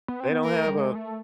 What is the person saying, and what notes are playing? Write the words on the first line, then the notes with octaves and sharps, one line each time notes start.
They don't have a
B3
C4
B3
A#3 A#4
A3
G3
G#3
A3